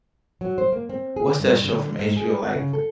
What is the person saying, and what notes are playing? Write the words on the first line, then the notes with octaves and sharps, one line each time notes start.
what's that show from HBO, like
F#3
C5
A#3
C4
G#4
G2
D3
G#2
G#4
F#5
C#3
A4